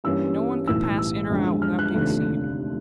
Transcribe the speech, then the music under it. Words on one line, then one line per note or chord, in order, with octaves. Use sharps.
No one could pass in or out without being seen.
G2 E3 G3 A#3 C#4 E6
B1 A2 E3 E6
E6
E6
G1 F#2 D3 F3 G#3
F6
F#6
F1 D#2 D3 F3 A3